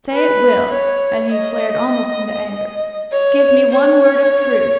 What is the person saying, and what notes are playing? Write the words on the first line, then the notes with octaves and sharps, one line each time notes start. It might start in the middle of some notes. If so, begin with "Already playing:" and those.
Say it will"--and he flared almost into anger: "give me one word of truth!
B4
C#5
D#5
C#5
C#5